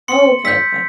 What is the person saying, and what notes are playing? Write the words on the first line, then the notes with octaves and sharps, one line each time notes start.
Oh, okay, okay.
C6 C#7
E6 G6 B6